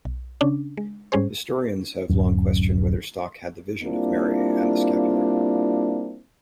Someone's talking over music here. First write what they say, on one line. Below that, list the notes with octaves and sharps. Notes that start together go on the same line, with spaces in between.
Historians have long questioned whether Stock had the vision of Mary and the scapular.
B1
C#3 C#4 D4
G#3
G#2 G3 C#4 G#4 C5
D1 F#2
G3 A#3 C4 D4 E4 F4